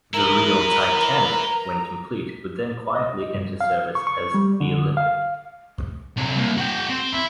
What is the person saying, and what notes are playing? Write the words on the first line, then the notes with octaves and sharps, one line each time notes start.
The real "Titanic" when complete would then quietly enter service as the "Olympic".
E4 A#4 B4 A#5
D#5
G2
F5
C#6
C#6
G3
D3
F5
C3 F#3
C2 A#3
F#4 G5
C4
E4